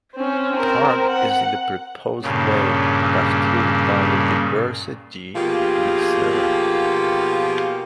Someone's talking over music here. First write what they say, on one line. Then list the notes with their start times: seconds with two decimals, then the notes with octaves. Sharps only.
Part is in the proposed Lake Pasteur Biodiversity Reserve.
0.15 C4 C#4
0.52 C4 A#4
1.09 F#5
2.22 G2 A#2 C#3
5.36 B2 F3 A#3 F4 G4 G#4